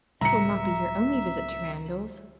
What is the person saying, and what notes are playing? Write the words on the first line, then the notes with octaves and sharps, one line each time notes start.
"This will not be your only visit to Randalls."
C#2 A2 C#3 F#3 G3 E5 A#5 C#7